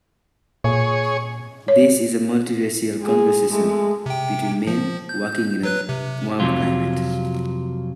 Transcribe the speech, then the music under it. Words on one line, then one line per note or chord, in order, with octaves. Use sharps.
This is a multiracial conversation between men walking in a warm climate.
A#2 G#4 C#5
C#5
G#3 G#4
G#3 A3
C3 G5
F3
G6
F#3 B4 F#6
C3
F2 C3 F#3 F4